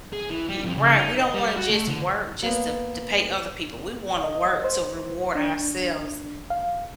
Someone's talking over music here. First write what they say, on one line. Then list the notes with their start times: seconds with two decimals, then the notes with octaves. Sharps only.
Ye right. We don't wanna just work just to to pay other people. We wanna work to reward ourselves.
0.13 G#4
0.30 E3
0.49 G3
0.65 F2
0.77 C#3
0.95 D#4
1.20 D#5
1.34 G3
1.56 F#4
1.69 A3
1.88 D3
2.43 A#3 B3
4.24 D#5
4.64 C5
5.35 D4
6.50 F5